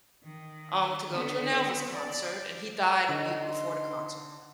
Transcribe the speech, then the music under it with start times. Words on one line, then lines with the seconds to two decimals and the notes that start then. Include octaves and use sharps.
um, to go to an Elvis concert and he died a week before the concert.
0.24 D#3
1.13 D3 B3
1.93 D5
3.09 D3 D#4 C6